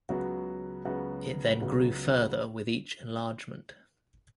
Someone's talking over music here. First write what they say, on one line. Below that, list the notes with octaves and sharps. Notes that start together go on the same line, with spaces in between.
It then grew further with each enlargement.
C#2 C#3 F#3 B3 F#4
C#2 C#3 F#3 B3 F#4
C#2 C#3 F#3 B3 F#4